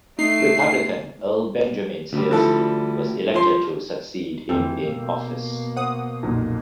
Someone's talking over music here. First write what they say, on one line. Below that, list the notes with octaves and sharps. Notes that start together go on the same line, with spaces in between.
Republican Earle Benjamin Searcy was elected to succeed him in office.
A3 D#4 C7
D2 D3 G3
E3 F3 A4
F3 C6
F2 E3 C4 A4 G5 E6
B2 A#3
C5 F#5 D#6
B1 F2 A#2